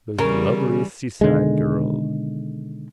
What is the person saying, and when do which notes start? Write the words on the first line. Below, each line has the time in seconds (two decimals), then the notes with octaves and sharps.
Those lovely seaside girls.
0.19 C#3 E3 G3 A#4
1.21 B2 D3 D#3 G#3